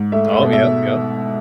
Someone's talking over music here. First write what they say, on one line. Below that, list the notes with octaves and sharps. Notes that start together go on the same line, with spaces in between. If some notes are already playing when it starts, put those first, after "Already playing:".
Oh, yep, yep.
Already playing: G#2
A3 E5
E5
B2
E5